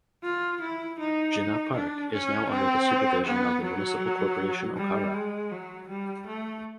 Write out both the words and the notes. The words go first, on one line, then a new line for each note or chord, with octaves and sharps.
Jinnah Park is now under the supervision of the Municipal Corporation Okara.
F4
E4
D#4
D4
C#4
C4
B3
F#3
G3
G#3
F#3
G3
A3